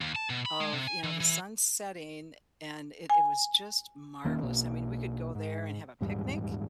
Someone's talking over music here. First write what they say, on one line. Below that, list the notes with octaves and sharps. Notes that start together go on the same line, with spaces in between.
of, you know, the sun setting and it it was just marvelous. I mean, we could go there and have a picnic.
D#2
A5
B2
B5
G#3
C3
G#5
E3
E3
G#5
E1 D#3 A#3 C#4
B1 B2 A#3
G#2
D#1 E2 G#2 G3